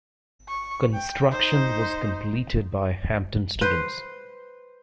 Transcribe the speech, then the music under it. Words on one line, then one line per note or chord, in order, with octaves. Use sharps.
Construction was completed by Hampton students.
C#6
G5
D#4 C5
B4 C5